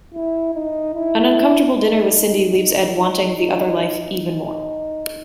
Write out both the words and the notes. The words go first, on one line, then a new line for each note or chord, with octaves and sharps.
An uncomfortable dinner with Cindy leaves Ed wanting the other life even more.
E4
D#4
E4
D#4
D#4
D#4
D#4
D#4
D#4